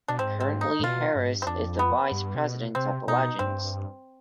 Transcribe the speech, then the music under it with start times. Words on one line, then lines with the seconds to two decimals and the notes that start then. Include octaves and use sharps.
Currently Harris is the Vice President of the Legends.
0.08 B2 D4
0.19 G#2 C4
0.40 C4
0.61 D#4
0.79 G#2
0.83 B2 F4
1.15 G2
1.25 G#2
1.36 G2
1.42 C4
1.47 F2 D4
1.79 B3
2.11 G2
2.35 C3
2.44 B2
2.75 C3 C4
3.07 B2 D#4
3.39 G2 C4